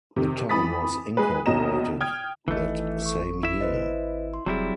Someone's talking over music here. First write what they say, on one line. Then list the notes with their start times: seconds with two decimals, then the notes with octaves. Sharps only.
The town was incorporated that same year.
0.16 C3 D#3
0.49 F2 E3 B5 D#6 A6 B6
1.17 G#3 G#4 B4
1.46 A#1 B2 C#4 D#5 A#5 E7
2.01 G5 D#6 F6 G#6
2.48 G#1 E3 A3 D#4 D#5
3.02 A4 C#6
3.43 E4 E5
3.61 B4 C5 D#5
4.34 C6
4.46 F1 F#3 G3 C4 E4 G#4